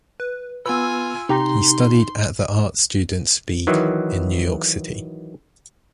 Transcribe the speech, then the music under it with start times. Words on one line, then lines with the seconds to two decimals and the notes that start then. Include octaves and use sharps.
He studied at the Art Students League in New York City.
0.20 B4
0.66 B3 F4 B4 G#5 E6
1.29 C3 D#4 G4 A#5 C6
3.67 D#3 E3 F#3